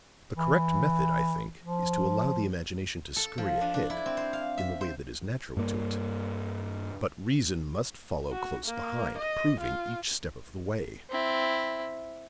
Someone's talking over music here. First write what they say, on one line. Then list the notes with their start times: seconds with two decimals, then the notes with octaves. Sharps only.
The correct method, I think, is to allow the imagination to scurry ahead in the way that is natural to it; but reason must follow close behind, proving each step of the way.
0.37 E3
1.63 F3
3.16 A4
3.38 F3
3.61 D4
3.74 D4
3.90 E4
4.06 C4
4.17 C5
4.33 F5
4.57 E5
4.81 C5
5.57 G2 A#3
8.32 F#4
8.66 A#3
9.18 D#5
9.60 F4
11.10 C4 E4